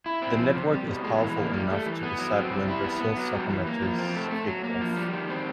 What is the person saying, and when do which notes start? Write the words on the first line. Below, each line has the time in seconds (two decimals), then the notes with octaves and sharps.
The network is powerful enough to decide when Brazil's soccer matches kick off.
0.06 E4
0.22 C4
0.39 F3
0.55 C3
0.72 G3
0.88 B2
1.04 G#3
1.21 E3
1.37 A#3
1.54 G3
1.70 A3
1.86 E3
2.03 B3
2.19 F#3
2.35 C4
2.52 G3
2.68 E4
2.84 B3
3.00 B3
3.17 F#3
3.33 G3
3.49 E3
3.67 A#3
3.83 F3
3.98 C4
4.15 A3
4.31 A3
4.48 F#3
4.64 A#3
4.81 F3
4.97 G3
5.13 D#3
5.29 C4